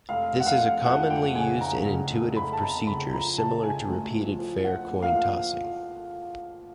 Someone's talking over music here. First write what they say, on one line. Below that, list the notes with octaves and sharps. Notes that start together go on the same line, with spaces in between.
This is a commonly used and intuitive procedure, similar to repeated fair coin-tossing.
F1 F5
F1
F#5
F5
F1
F2 F#5
F1 G5
C#3 G#5
F1 A#5
C#3
F1
F1 B5
A5
F1 A#5
C#3 B5
F3 A#5
C#3 A5
C#3 G#5
D2
F3
F3
F3 F#5
A#3
F5
F3